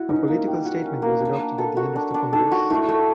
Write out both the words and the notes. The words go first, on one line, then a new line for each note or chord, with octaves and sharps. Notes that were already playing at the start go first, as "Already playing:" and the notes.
A political statement was adopted at the end of the congress.
Already playing: E4 F#4
C#4 D#4
A#3
G3
F#4
C#4
A#3
D4
D4
A4
F#4
D4
D4
D#4 A4
F#4
A3 E4
A3